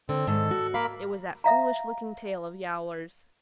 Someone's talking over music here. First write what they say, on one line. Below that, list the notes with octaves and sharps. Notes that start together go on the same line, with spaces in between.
It was that foolish looking tail of Yowler's.
D3 C4
G#2 D#3 A4
F#4
A#3 A#4 F5 B5
E5 F5 A#5